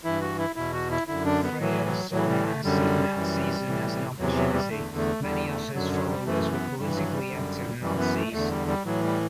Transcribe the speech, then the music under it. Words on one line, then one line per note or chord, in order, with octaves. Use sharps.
Freyer saw Nazism as an opportunity; many of his followers were politically active Nazis.
G2 E3 E4
F#4
E4
E2 B2 E4
F#4
E4
F#2 D3 E4
D4
B3
A2 E3 F#3
F#3
A2 E3 F#3
G3
A3
F#2 D3 G3
F#2 E3
A2 E3
E2 C3 E3 F#3
F#3
G3
E2 D3 A3
A3
E2 D3 G3
A3
F#2 D3 F#3
F#3
G3
F#2 E3 A3
B3
G2 E3 G3
F#3
G3
F#2 D3
F#2 E3 G3
B3
A3
E2 D3 A3
G3
G3
A2 E3 F#3
G3